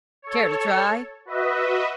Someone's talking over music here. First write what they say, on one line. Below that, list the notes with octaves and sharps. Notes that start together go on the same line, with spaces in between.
"Care to try?"
A4 C#5
F#4 B4 D#5 E5